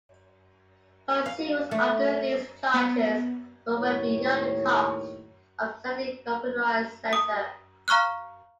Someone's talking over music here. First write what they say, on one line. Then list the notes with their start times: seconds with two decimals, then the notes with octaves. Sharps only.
Consumers argued these charges were well beyond the cost of sending a computerised letter.
1.26 F5
1.71 A3
2.74 B3
3.77 D#2 A2 D#3 C#5
7.13 D#6
7.88 F5 A#5 C#6 F6 F#6